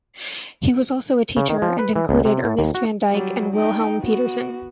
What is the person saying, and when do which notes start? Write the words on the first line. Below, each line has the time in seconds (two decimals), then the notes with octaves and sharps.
He was also a teacher, and included Ernest van Dyck and Wilhelm Petersen.
1.37 C#3
1.50 D#3
1.62 F3
1.79 B4
1.96 E3
2.09 C#2
2.25 C3
2.44 A2
2.59 D#2
2.75 F#4
3.11 F#3 G3
3.54 D#4 G5
4.00 B3 F#4